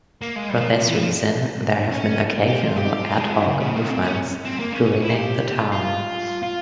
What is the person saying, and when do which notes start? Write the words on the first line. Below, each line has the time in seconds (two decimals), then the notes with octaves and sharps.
For this reason, there have been occasional ad hoc movements to rename the town.
0.22 A#3
0.36 G#3
0.50 G3
0.59 F3
0.78 C3
0.88 E3
0.98 F3
1.92 C#4
2.47 G4
2.61 F4
2.76 G4
3.04 F4
3.18 G#3
3.33 E3
3.46 C#3
3.60 C#3
3.77 A#3
3.89 C4
4.03 C#4
4.45 C4
4.59 A#3
4.73 C#4
5.02 E4
5.16 G4
5.58 F4
5.72 F4
6.43 F4